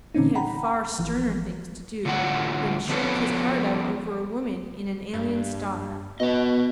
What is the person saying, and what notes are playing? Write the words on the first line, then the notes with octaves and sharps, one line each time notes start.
He had far sterner things to do than shriek his heart out over a woman in an alien star.
A#2 D3 E3 C4 C#4 D#4
F#5 G5 A#5 B5
G#1 E3 F3
A2 D3 F#3 A3 F4 F#5
F3 B3 C#4 A4 B4 C#5
G2
B2 B3 D#5